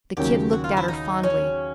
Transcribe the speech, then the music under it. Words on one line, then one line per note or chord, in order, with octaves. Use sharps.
The Kid looked at her fondly.
D#2 C#3 F#3 G4
F#4
F4
E4
D#4
C#4